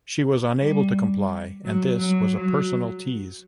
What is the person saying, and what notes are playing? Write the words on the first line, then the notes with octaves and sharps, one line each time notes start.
She was unable to comply and this was a personal tease.
G3
F#3
F#3
F#3